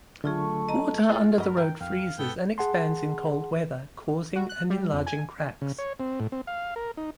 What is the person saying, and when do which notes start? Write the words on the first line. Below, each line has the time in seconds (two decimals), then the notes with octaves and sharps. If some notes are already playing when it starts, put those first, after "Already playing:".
Water under the road freezes and expands in cold weather, causing and enlarging cracks.
0.24 D3 F#3 A3 F4 G#4 C#6
0.69 D#5 A#5
1.10 E4 F4 G#4 D#5 F6 A6
1.38 G2 F#3 A#4 D#5 B5
1.57 D#4 A#4 G5
1.81 F2 F5 G5
2.18 G#2 B3 A4 G5
2.58 G#4 F#5 A5 C6
4.36 F#4
4.49 F#6
4.70 G3
4.93 F2
5.07 G#5
5.62 C#3
5.78 C#5
6.00 C4
6.20 A2
6.32 C4
6.47 F5
6.76 A#4
6.97 D#4